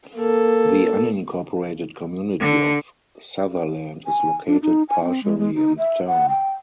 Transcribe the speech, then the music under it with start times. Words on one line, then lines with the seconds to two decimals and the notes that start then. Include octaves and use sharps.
The unincorporated community of Sutherland is located partially in the town.
0.16 A#3 A4
2.40 D3
4.07 G#5
4.47 D4
4.62 D#4
4.89 G#5
5.04 C4
5.23 G#3
5.39 G#3
5.55 D#4
5.78 E5
6.07 F#5
6.29 G5